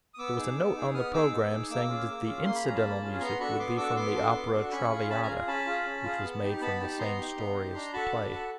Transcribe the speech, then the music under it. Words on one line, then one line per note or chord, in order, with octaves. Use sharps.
There was a note on the programme, saying that the "incidental music" would be from the opera "Traviata," which was made from the same story as the play.
D#6
B3 D6 E6
D#4 G#4
B3
D#4 G#4
B3 D#6 F6
D#4 G#4 D6 E6
B3
D#4 G#4
A#3 D6 E6
C#4 F4 G#4
A#3
C#4 F4 G#4
A#3 C6
B5
C#4 F4 G#4 A#5
A5 B5
A#3
C#4 F4 G#4
B3 A#5 C6
D4 F#4 A4 B5 C#6
B3 C6 D6
D4 F#4 A4 D6 E6
B3 C6 D6
D4 F#4 A4
B3
D4 F#4 A4
C#4 B5 C#6
F4 G#4
C#4 A5 B5
G#5 A#5
F4 G#4
C#4 A5 B5
F4 G#4
C#4
F4 G#4
B3
D#4 G4
B3 A5 B5
D#4 G4
B3 A#5 C6
D#4 G4
B3
D#4 G4
D4 A#5 C6
F#4 A4 A5 B5
D4
F#4 A4